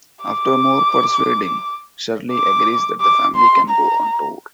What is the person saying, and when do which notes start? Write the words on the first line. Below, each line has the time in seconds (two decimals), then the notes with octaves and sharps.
After more persuading, Shirley agrees that the family can go on tour.
0.25 D6
2.33 D6
3.01 D6
3.36 C6
3.69 A#5